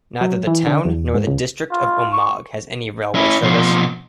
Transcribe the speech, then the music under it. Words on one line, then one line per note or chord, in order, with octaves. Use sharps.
Neither the town nor the district of Omagh has any railway service.
F#3
E3
D3
E2
G#2
C#2
F4
C#6
C#4 E4
B2 F3